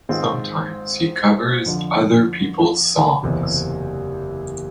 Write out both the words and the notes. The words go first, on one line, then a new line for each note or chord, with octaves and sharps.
Sometimes he covers other people's songs.
G#2 D#3 G#3 C4 F4
F2 D3 F3
F#1 E2 C3